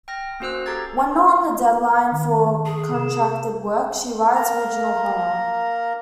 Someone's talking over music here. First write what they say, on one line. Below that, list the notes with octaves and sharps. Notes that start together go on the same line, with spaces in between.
When not on deadline for contracted work, she writes original horror.
G5 F6 A#6
A#3 C#4 F#4 C5 E6 F#6
G4 A4 A#5 G#6 A6
D#3
G#4
C3 A#4 E7
A#3 A#4 A#5